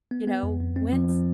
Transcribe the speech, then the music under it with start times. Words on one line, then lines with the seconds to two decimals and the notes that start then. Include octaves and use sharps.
you know, when's
0.11 B3
0.28 B3
0.43 F2
0.60 F2
0.76 C4
0.93 F3
1.09 F3